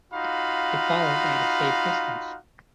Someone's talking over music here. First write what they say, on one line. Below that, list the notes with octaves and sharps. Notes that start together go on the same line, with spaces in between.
They followed at a safe distance.
D#4 F4 F#4 F5 B5